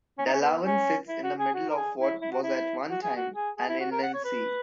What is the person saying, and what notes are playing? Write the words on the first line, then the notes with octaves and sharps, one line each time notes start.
Delavan sits in the middle of what was at one time an inland sea.
C#4
D#4
C#4
B3
C#4
E4
F#4
G#4
F#4
A#4
G#4
E4
E4
F#4
E4
F#4
G#4
F#4
G#4
G#4
E4
F#4
A#4
F#5
C#5
B4